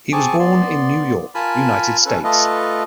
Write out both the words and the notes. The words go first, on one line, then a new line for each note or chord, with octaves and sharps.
He was born in New York, United States.
C4 G#4 G#5 A5 C#6 D6
B3 D5 C6
F4 A#4 G#5 A5 B5
C#4 A4 B4
A3 F4 A4 B4 D#5